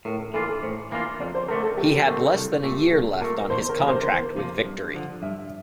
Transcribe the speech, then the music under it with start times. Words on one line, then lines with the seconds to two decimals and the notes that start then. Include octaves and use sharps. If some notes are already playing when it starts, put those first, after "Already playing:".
He had less than a year left on his contract with Victory.
0.05 A2 A#4
0.20 A#4
0.34 E3 A#3 D4 F4 A4
0.48 A4
0.62 A2 C5
0.91 E3 A#3 D4 F4
1.20 F2 D5
1.35 C5
1.48 D3 A3 C4 A#4
1.63 A4
1.77 F2 G4
1.92 A4
2.06 D3 A3 C4 A#4
2.21 A4
2.35 C2
2.63 A#2 A3 G4
2.92 C2 A4
3.21 A#2 A3 A#4
3.50 E2 C5
3.69 A#4
3.79 C3 F3 A#3
3.88 C5
3.96 A#4
4.03 E2 C5
4.37 C3 F3 A#3
4.65 G2
4.94 D3 F3
5.22 G2 E5